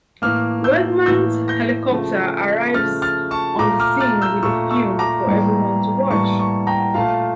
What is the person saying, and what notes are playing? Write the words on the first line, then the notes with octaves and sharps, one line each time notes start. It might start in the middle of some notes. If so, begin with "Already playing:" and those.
Weidmann's helicopter arrives on the scene with the film for everyone to watch.
A2 E3 A#3 D6 F6
E6 G6
A2 E3 A#3 E6 G6
G6 A#6
C#3 F3 A3
C#3 F3 A3 F6 A6
F6 A6
A5 C#6
A#2 A3 A#5 D6
D6 F6
F6 A6
E6 G6
A#2 A3 C#6 E6
C#6 E6
A#5 D6
A2 E3 G3 A#3
A2 E3 G3 A#3 A5 C#6
A5 C#6
G5 A#5
A#2 A3 F5 A5